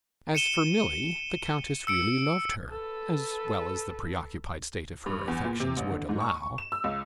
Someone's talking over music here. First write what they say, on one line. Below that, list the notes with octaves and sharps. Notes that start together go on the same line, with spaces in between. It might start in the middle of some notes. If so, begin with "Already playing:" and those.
As for Milly, the Countess really loved her as well as the preoccupied state of her affections would allow.
C#7 D#7 E7 G7
E6 C#7 D7
A4 B4
G2
E2
A#2
C3
A1
D3
G#2
C#6
E7
E6
C#2